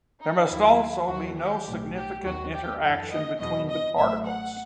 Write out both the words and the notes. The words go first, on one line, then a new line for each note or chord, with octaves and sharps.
There must also be no significant interaction between the particles.
D#4
D#2 D#3 F#3 E4
D#2 D#3 F#3 F#4
G4
B1 A2 F#3
G4
D#2 D#3 F#3 F#4
G4
F#2 E3 A4
D#5
E2 B2 F#3 D#5
D#5
A1 A2 F#3 E5
F#5